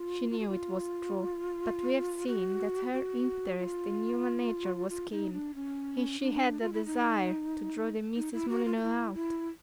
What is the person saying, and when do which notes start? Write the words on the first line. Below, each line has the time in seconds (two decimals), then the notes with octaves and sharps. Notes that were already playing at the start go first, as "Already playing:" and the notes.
She knew it was true, but we have seen that her interest in human nature was keen, and she had a desire to draw the Misses Molyneux out.
Already playing: F4
0.31 F4
0.39 F#4
0.48 F4
2.28 F#4
2.93 F#4
3.58 F4
4.89 F4
5.11 D#4
5.33 D4
5.55 C#4
6.20 D4
6.61 F4
6.73 E4
6.86 D#4
8.16 D#4
8.33 E4
8.49 F#4
8.65 F4
8.77 F4
8.82 E4
9.15 E4